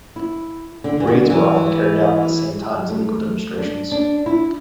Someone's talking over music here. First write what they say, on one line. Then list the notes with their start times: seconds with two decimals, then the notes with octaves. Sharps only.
Raids were often carried out at the same time as legal demonstrations.
0.16 E4
0.84 D3
1.00 E3
1.07 D3
1.30 E3
2.90 A3
3.58 D4
3.92 D4
4.26 E4